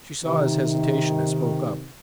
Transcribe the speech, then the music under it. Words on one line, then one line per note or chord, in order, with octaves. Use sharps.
She saw his hesitation and spoke up.
C3 D#3